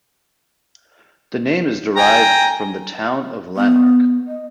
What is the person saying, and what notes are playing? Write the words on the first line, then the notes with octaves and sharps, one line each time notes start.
The name is derived from the town of Lanark.
G5 G#5 A#5
B3
D#5